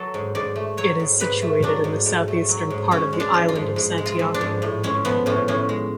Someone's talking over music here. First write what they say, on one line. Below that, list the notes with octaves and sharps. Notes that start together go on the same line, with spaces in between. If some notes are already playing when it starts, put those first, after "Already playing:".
It is situated in the southeastern part of the island of Santiago.
Already playing: F#3 A4
G#2
G#2 D5
A3
F#3 C#5
G#2
G#2 B4
A3
F#3 D4
G#2
G#2
A3
F#3
G#2
G#2 C#4
G#3
D4
F3
F4
G#2
G#2
G#3
F4
F3
D4
G#2
A2
G#3 C#4
F3 B3
A2 C#4
A2 C#4
G#3